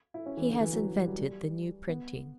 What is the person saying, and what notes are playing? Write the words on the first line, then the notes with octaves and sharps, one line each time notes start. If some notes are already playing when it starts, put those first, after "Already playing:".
He has invented the new printing.
E4
C#4
E3
D3
E3
F#3
F#3
G3
F#3
G3
B3